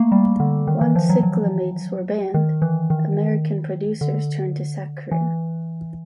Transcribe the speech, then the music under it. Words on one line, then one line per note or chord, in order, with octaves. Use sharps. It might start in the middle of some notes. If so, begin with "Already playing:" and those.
Once cyclamates were banned, American producers turned to saccharin.
Already playing: A3 A#3
G3
D3
D#3
E3
F3
F#3
F#3
D#3
E3
D#3
D3
E3